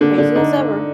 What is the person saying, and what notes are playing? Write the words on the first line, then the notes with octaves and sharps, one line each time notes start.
Crazy as ever!
D3 A#3
D3 D5
D3 D#4